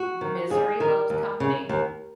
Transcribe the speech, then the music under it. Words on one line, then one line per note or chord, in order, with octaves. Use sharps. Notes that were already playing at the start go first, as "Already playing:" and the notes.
Misery loves company.
Already playing: F#4
D#3
D#2 G#4
D#3 A#4
D#2
C#3
D#2